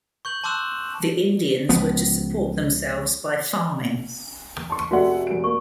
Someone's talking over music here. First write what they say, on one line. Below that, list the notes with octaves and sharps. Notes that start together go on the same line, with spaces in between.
The Indians were to support themselves by farming.
C#6 G6 F#7
A5 C6 D6 E6 F#6 E7
C#2 F3 B3
A5 C6 C#6
F1 A3 F#4 D5 F#5
F1 D7
A#3 C#6